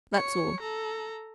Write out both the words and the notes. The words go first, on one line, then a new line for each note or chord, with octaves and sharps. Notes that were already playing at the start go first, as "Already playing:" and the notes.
That's all.'
C#5 C#7
A4 A#5